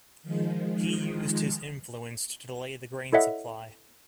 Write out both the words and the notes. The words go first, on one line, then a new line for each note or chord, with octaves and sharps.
He used his influence to delay the grain supply.
D#3 F3 G#3
E4 A4 C#5 D#5 E5 F#5